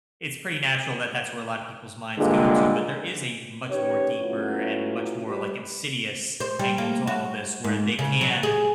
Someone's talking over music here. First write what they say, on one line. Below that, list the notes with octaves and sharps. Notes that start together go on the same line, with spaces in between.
it's pretty natural that that's where a lot of people's minds go to. But there is a much more deeper and much more, like, insidious angle to all of this. Where they can
G2 A#2 D3 G#3
D#3 C#4 G4 B4 C#5
F#3 A3 B3 C#4 E4 F4
G3 B4
C5
G3
A#3
F#4
G#2
C#3
F#3
G#4